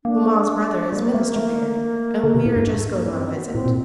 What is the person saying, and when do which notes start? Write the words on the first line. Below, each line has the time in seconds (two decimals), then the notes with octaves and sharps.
"Mamma's brother is minister there, and we are just going on a visit."
0.04 A#3 D4
0.93 G3 A#3
1.14 A3
1.36 A3
2.24 D3
2.35 C3
2.46 A2
2.56 G2
2.67 G2 A3
2.90 A#3
3.11 C4
3.25 D#4
3.33 F#4
3.45 A#3
3.55 A2 C4
3.66 A#2